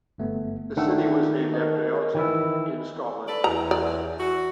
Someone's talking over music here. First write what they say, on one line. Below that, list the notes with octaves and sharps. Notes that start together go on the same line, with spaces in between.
The city was named after Elgin, in Scotland.
G1 A3 B3
D#3 A3 D4 D#4 F#5
A#4 D#5
D#3 E3 E4
A4 B4 D5
E2 A#5
D5
E3 F#4